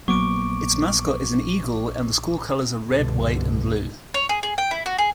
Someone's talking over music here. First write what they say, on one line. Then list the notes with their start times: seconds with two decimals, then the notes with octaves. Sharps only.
Its mascot is an eagle, and the school colors are red, white and blue.
0.08 A#1 F#3 A#3 B3 C#6 D6 D7
2.87 C2 G2 B2 D3
4.14 C#5
4.29 G#4
4.43 G#4
4.58 G5
4.71 E4
4.86 F#4
4.98 G#4